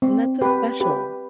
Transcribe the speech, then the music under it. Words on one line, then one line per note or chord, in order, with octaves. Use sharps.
and that's so special.
C4
G4 B4
G4 B4